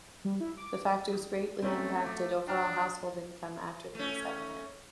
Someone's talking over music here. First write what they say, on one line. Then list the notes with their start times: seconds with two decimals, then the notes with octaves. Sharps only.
The factors greatly impacted overall household income after resettlement.
0.25 G3
0.40 E4
0.57 D6
1.62 A3 C4 C#4 A#5
2.06 D6
2.47 D4 G5 A#5 F6
3.95 A3 C#4